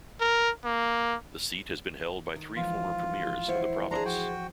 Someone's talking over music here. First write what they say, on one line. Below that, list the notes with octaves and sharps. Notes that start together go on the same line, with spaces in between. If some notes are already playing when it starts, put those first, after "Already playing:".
The seat has been held by three former premiers of the province.
A#4
A#3
D#3
E3 F3 G#3 F4
E3 E4 C5 C#5 F#5
D4 G#4 C5 A#5
F3 F#4 G5